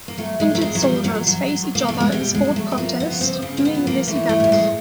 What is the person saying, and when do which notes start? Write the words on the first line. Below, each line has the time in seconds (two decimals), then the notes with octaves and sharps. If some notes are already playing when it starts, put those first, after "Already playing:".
Injured soldiers face each other in sport contest during this event.
0.08 A#3
0.17 F#3 A3
0.40 G#3
0.51 A#2 A3
0.61 G#3
0.75 F#3
0.82 A#2 G3
1.05 F#3
1.15 F#3
1.27 F#3
1.48 F#3
1.75 B2 A#3
1.89 A3
2.00 G#3
2.12 B2 G3
2.35 G#3
2.45 F#3
2.56 A3
2.71 A3
2.77 F3 A#3
3.00 B3
3.10 C#3
3.21 C4
3.42 C#3 C4
3.58 C4
3.65 B3
3.75 F3
3.87 A#3
4.08 E3 A3
4.29 A3
4.40 A2 G3
4.52 G#3